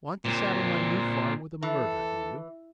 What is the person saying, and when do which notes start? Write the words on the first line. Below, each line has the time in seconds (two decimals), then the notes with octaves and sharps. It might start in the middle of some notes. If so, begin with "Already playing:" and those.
Want to saddle my new farm with a murder, do you?
0.25 A#2 C4
1.62 E3 A4